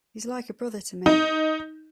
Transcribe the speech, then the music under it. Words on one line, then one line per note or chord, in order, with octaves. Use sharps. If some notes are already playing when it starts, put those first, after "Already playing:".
He's like a brother to me.
D#4